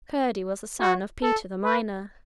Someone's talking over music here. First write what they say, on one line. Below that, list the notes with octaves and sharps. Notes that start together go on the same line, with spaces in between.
Curdie was the son of Peter the miner.
F#4
A4
B4